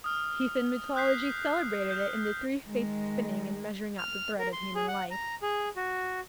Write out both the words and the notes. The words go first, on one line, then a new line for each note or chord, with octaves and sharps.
Heathen mythology celebrated it in the three Fates spinning and measuring out the thread of human life.
D#6 F6
D#6 F#6 G6 B6 C7
F6 G6
D#3 G#3
F6
A#4
C6
G#4
F#5
A#5
G#4
F#4